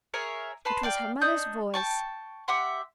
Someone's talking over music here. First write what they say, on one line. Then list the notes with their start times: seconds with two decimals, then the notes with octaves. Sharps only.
It was her mother's voice.
0.14 G#4 A#4 C#5 E5
0.65 B4 A5 B5 C6
0.83 D5 F5 G5
1.21 D4 D#4 D#6 G6
1.74 G5 A5 C#6
2.48 G4 E5 F#5 C6